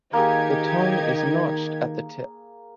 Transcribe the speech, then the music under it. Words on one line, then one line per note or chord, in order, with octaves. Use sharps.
The tongue is notched at the tip.
D#3 A#3 D#4 G4 G#4 G#6